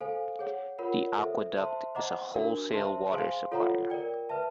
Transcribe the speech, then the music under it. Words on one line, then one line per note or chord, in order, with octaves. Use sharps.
The Aqueduct is a wholesale water supplier.
A4 C5 F5 G#5
G#4 C#5 F#5
F4 A#4 C#5 F#5 B5
A4 C5 E5
C5 E5 A5 C6
C5 D#5 F#5 A#5 D6
D4 F#4 A#4
C5 E5 A5 C6
G#4 C5 F5 G#5 C6
F4 A4 C#5 F#5 A#5
A#4 D5 G5
B4 E5 A5